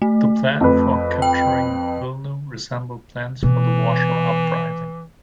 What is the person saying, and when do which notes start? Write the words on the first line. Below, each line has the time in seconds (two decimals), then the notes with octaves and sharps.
The plan for capturing Wilno resembled plans for the Warsaw Uprising.
0.02 A3
0.61 F2 B4
1.22 G5
3.43 B2 E3